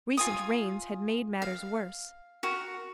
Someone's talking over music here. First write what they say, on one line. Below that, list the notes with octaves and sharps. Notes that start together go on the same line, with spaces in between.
Recent rains had made matters worse.
F4 G#5 D#6
F5
F#4 A#4